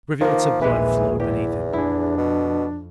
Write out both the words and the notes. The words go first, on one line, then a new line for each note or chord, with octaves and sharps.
Rivulets of blood flowed beneath him.
D#3 F3 A#3
A#1 D#2 E3 G#3 G4 G#4 B4
E2 E4 G4
F2 D4 E4 G#4
B2